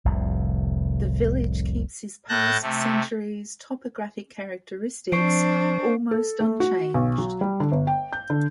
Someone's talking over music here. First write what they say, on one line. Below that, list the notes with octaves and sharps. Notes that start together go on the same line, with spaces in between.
The village keeps his past centuries’ topographic characteristics almost unchanged.
F1 C2 A2
A2 A5 F#6 G6 A#6
C3 A3
F3 C4 D4 C5 C#6 C7 D7
A4
A3
F#4
B1
F#3
G3
D3
G1
G5
G6
D3